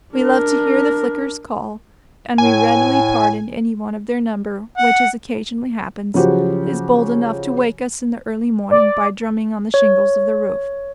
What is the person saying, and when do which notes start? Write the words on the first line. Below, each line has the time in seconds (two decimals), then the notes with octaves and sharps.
We love to hear the flickers call, and we readily pardon any one of their number which, as occasionally happens, is bold enough to wake us in the early morning by drumming on the shingles of the roof.
0.15 D4 A#4
2.38 A2 G#5
4.78 F#5
6.14 C#3 F3 F#3 F#4 G4 C5
8.71 D5
9.74 C#5